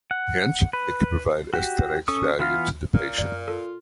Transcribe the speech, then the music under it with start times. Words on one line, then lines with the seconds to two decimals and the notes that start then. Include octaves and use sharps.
Hence, it can provide aesthetics value to the patient.
0.11 F#5
0.73 B4
1.54 F#4 G4
2.08 C#4 A4 C#6 D#6
2.40 E3 B3 F4 F5
2.94 A#2 C#4 A#4
3.18 F#2 D5
3.48 F4 A4